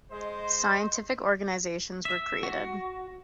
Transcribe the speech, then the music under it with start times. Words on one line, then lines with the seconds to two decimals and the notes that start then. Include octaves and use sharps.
Scientific organisations were created.
0.12 G#3 C5 D#5 C6
2.05 E5
2.43 F#4